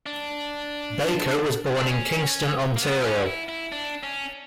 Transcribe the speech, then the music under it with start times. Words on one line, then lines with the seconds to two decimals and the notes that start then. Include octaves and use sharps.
Baker was born in Kingston, Ontario.
0.06 D4
1.77 D4
1.89 C#4
2.76 A#3
2.81 B3
3.03 C#4
3.22 F#4
3.26 E4
3.49 E4
3.72 D4
4.03 C#4